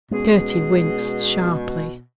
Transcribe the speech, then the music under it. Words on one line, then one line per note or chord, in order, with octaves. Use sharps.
Gerty winced sharply.
B2 G#3 B3 C#4 G#4